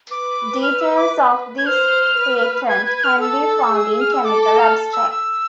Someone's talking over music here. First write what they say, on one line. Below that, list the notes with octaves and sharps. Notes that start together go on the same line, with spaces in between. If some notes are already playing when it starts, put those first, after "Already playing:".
Details of this patent can be found in "Chemical Abstracts".
B4 D6
F6
E6
D6
G#6
C5 F6
B4
B4 G#6
G#6
G#6
F6
A4 E6
G#4
F6
E6
A4 D6
D6
F6
E6
E6